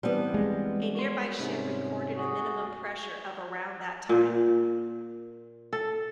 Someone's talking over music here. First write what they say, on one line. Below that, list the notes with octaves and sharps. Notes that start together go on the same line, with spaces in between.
A nearby ship recorded a minimum pressure of around that time.
E3 G3 B3 C4 D4
G#3
F#4 C6
G#2 C3 C#4
F#4 G#4
A#2
A4